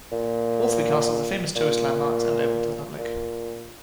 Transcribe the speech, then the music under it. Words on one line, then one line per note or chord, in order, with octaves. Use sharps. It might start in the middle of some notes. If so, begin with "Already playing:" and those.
All three castles are famous tourist landmarks and open to the public.
A#2
A#2
A#2